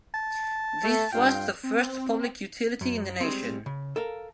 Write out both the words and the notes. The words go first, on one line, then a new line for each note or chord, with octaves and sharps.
This was the first public utility in the nation.
A5
A3
G2 F4 G5
C4
F#2
G3 G#3 C4
C#3
A4 A#4 F5